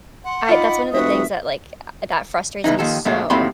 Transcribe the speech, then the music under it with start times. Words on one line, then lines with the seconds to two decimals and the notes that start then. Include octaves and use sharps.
I that's one of the things that, like, uh, that frustrates me so
0.24 F#5 C6
0.49 D#4 F4 B5 D6
0.93 F1 F#4 B4 E5 D#6
2.64 E2 C#3 E3 D#4
2.79 D#2 D#3 F3 A4
3.05 F#2 A#2 F#3 G#3 A3 D4
3.30 D#2 A2 F#3 C4 B5 C6